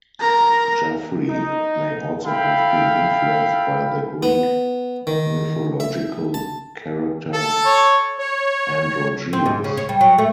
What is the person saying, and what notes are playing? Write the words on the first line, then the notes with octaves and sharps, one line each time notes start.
Geoffrey may also have been influenced by the Greek mythological character Androgeus.
A#4 A#5
D#4
E4 A4 F5 G5 B5
B3
D#3
E5
A5
A4
C#5
C#5
C4
G#2
C#3
C#5
G3
F#3
A3